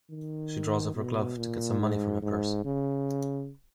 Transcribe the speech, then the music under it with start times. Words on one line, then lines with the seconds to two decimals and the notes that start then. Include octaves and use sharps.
She draws off her glove to get some money from her purse.
0.10 D#3
0.95 B2
1.37 A#2
1.80 G#2
2.22 G#2
2.65 C#3